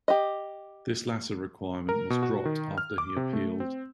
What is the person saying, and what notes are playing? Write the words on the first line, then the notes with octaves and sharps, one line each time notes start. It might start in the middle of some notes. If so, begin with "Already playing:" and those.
This latter requirement was dropped after he appealed.
G4 D#5
A#4
B2
F#4
D#3
F6
D6
C3
A3
C4